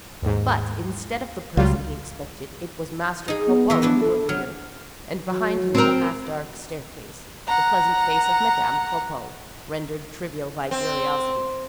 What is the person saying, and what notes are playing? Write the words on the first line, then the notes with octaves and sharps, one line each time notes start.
But, instead of the person he expected, it was Master Cropole who appeared, and behind him, in the half-dark staircase, the pleasant face of Madame Cropole, rendered trivial by curiosity.
D#2 G#2
C#2 F#3 G3 F4
D#4 G#4
B3
E3 A#4 E5
D4 E4 B4
A4
F#3 F6
F#3
C4 A#4
F#5 A#5
C4